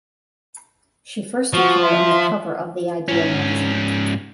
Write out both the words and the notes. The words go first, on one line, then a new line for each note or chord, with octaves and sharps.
She first appeared on cover of the Idea Magazine.
F3 F#4 C#6
E5 C6
G#2 C#4